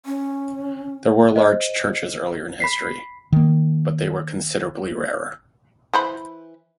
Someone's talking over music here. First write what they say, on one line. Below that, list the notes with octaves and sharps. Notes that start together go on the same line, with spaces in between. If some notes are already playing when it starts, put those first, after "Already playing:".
There were large churches earlier in history, but they were considerably rarer.
C#4
C5 D#5
B5 B6 C7
D#3 A#3
E3 C5 B5